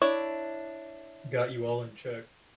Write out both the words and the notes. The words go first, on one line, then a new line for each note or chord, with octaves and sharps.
Got You All in Check.
D4 E4 C#5